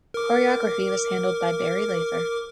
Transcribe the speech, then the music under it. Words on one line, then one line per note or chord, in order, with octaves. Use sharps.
Choreography was handled by Barry Lather.
A#4 D6